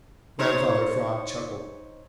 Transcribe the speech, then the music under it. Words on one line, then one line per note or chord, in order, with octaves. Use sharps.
Grandfather Frog chuckled.
D#4 C5 C#5